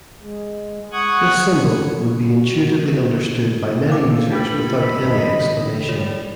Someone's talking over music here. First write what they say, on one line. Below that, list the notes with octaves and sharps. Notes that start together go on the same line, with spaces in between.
This symbol would be intuitively understood by many users without any explanation.
G#3
F#5 C#6 D#6 F#6 G#6
F#4
A4 C5 F5 D6
D4 G4 B4 B5
A2 D3 E3 D#5
A2 G3 F4 C#5 D5